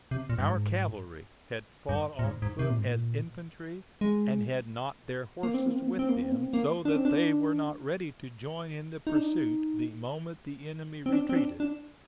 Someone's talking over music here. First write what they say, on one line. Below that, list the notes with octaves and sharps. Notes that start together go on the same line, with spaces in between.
Our cavalry had fought on foot as infantry, and had not their horses with them; so that they were not ready to join in the pursuit the moment the enemy retreated.
C3
A#2
G2
G#2
G2
A#2
G#2
G#2
C3
A#2
G#2
A#2
G#3
A#3
C4
A#3
C4
A#3
C4
A#3
C4
A#3
C4
A#3
D4
C4
D4
D#4
D4
D#4
C4
D4
C4
D4
D4